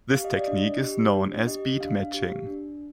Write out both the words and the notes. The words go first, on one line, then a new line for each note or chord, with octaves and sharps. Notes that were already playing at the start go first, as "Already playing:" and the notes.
This technique is known as beatmatching.
G4 F5
D#5
D5
D4 D#5
G4
D4
G4 D#5
D4 F5
G4
D4